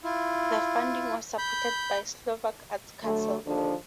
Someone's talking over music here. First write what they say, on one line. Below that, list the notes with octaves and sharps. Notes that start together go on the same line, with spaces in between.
The funding was supported by Slovak Arts Council.
E4 F4
B5 G6
D3 F#3 A3
D#2 D3 F3 D4 A4